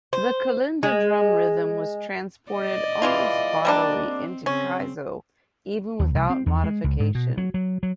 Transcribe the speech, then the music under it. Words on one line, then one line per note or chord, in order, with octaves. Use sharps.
The kalinda drum rhythm was transported almost bodily into Kaiso even without modification.
C5
G#3
D5 D#5
E3 G#3 F4
G3 A#3 D4
C4
C#3 C4 C#4
D#2
C2
C4
E2
G#3
C#2
G#2
B2
F#3
F#3
F#3